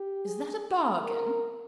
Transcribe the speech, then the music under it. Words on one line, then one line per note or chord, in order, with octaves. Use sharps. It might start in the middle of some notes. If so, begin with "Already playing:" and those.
Is that a bargain?'
Already playing: G4
G#4
A#4